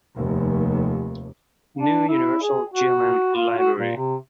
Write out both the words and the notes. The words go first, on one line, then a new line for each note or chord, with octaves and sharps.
New Universal German Library.
F1 D#2
D4
E4
G#4
F#4
F4
F#4
A#2
C3